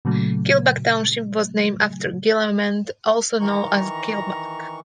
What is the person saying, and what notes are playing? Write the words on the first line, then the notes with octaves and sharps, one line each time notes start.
Kilbuck Township was named after Gelelemend, also known as Killbuck.
A#2 C#3 F#3 A3
D#3 E3 A#5 C#6